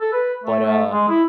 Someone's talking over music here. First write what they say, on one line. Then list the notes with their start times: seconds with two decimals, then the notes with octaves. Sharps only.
but, uh,
0.01 A4
0.13 B4
0.44 A3
0.66 A3
0.92 G#3
1.09 E4